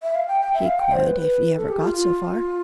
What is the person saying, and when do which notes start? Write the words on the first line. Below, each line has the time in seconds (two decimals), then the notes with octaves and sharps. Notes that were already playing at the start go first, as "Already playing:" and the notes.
"He could--if he ever got so far."
0.03 E5
0.15 F5
0.28 G5
0.41 G5
0.54 E5
0.66 F5
0.79 G5
0.91 C5
1.05 B4
1.17 B4
1.56 A4
1.69 G4
1.82 F4
1.94 F4